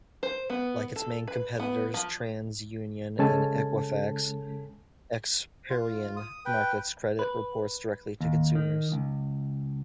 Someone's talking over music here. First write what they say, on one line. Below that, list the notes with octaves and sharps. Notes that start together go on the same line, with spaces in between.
Like its main competitors, TransUnion and Equifax, Experian markets credit reports directly to consumers.
C5
B3
A4
B4
B3
F3
C#3 G#3 C#4 A4 G#5 A5
F4
D#6
B4 G5
B4
D#2
D#3
C#2